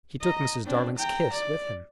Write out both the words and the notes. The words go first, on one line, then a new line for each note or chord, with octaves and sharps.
He took Mrs. Darling's kiss with him.
D#5 A#5
C4 D4
G5 A#5
D5